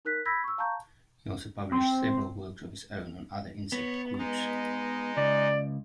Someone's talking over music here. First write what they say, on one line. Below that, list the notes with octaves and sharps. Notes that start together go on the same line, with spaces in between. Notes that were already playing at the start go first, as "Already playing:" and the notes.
He also published several works of his own on other insect groups.
D#4 A#4 F#6 B6
B5 E6 G6 G#6 A#6 B6
C#6 E6
F5 A5 A#5 C#6 G6
C4
B3 C#5
G#3 D#4
C#2 D5